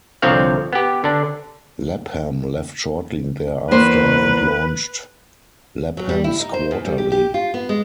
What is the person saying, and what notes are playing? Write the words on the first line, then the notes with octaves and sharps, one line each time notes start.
Lapham left shortly thereafter and launched "Lapham's Quarterly".
C2 D3 F3 C4 C#5 F5
B3 G4
D3 D4
E2 A#3 B4 C5
F#3
G3
E4
D#4
C5
E2
G3
G4
G4
F4
B3
G#3